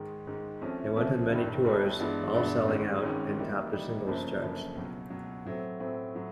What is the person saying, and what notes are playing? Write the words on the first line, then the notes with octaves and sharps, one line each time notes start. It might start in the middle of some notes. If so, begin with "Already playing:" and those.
They went on many tours, all selling out, and topped the singles charts.
Already playing: G#2 D#3 G#3
G#2 D#3 G#3
C2 C3 F3 A3 C#4
C2 C3 F3 A3 C#4
G1 G2 D#3 G3
G1 G2 D#3 G3
G2 E3 G#3 B3 D4
G2 E3 G#3 B3 D4
G#1 G#2 D#3 G#3 C#4
G#1 G#2 D#3 G#3 C#4
E3 G3 A#3 D#4
E3 G3 A#3 D#4
G1 F#2 C#3 F3 A#3
G1 F#2 C#3 F3 A#3
C#2 B2 F#3
C#2 B2 F#3
A2 F#3 A3 C4
A2 F#3 A3 C4
A2 F#3